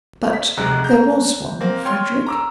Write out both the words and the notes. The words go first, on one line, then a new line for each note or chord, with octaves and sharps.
"But there was one, Frederic?"
B6
F1 C2 C3 G#3 A#5 F#6
A#5 G6
A#3 C4
C#5 G5 C6 F6
A#5 D6 E6